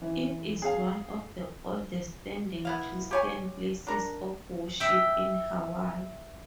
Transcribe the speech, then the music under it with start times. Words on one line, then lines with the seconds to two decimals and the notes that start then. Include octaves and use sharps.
It is one of the oldest standing Christian places of worship in Hawaii.
0.02 E3
0.62 G#4 F5
2.65 B3 E4 F5
3.11 G4 C#5 G#5
3.87 D4 A#4
4.80 E5 G5